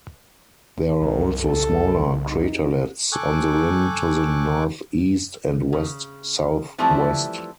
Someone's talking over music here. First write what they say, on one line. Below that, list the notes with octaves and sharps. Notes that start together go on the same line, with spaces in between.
There are also smaller craterlets on the rim to the northeast and west-southwest.
C2 A#4
A4
D#4
A4 G5 G#5 C#6 D6 F#6
C#3
E3 F3 G3 A3 C4 E4